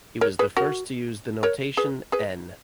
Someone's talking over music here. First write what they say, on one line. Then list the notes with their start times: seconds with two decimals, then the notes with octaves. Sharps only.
He was the first to use the notation "n"!
0.21 A#4 C#5
0.39 G#4 B4
0.57 F#4 A#4
1.43 A#4 C#5
1.77 G#4 B4
2.12 G#4 B4